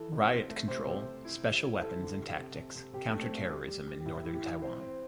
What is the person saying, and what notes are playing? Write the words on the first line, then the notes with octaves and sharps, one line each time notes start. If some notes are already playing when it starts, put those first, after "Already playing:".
Riot control, Special Weapons and Tactics, counter-terrorism in northern Taiwan.
Already playing: E3 A4
C3
C4
A3
C3 C5
C3
C3
E4
G3
E4
E4 A4
D3
G3
C3
C3
C3
C3 G4
A3 D4
C4
G3
G3
G3
G3
G4
A2 E4
E3
G4
E3
C4 C5
C4